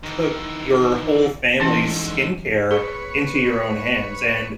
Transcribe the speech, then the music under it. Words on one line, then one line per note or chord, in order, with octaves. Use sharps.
took your whole family's skincare into your own hands, and
D#3 E3
G#2 D3 E3 C#4 E4
G#4 B4 C#5